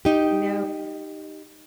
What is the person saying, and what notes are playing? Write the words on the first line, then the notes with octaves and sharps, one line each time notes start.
You know
D#4 G4